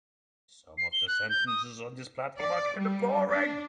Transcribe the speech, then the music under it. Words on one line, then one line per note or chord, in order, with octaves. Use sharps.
Some of the sentences on this platform are kind of boring.
C7
G7
F#6
G6
D#6
D5
G3
D4